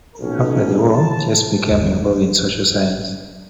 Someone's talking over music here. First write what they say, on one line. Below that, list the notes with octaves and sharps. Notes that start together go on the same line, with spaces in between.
After the war, Chase became involved in social science.
B1 A#2 F3 C#4
E3 A#3 A5
F#1 E2